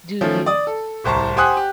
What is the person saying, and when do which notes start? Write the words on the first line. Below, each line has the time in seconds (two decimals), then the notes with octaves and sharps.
Do you?
0.21 D#3 F3 A3 C#4
0.46 D5 D#6
0.67 A4
1.04 D1 C2 C5 A5 A#5 C#6
1.37 G4 C5 F#5 G#5 D#6 F#6
1.57 G4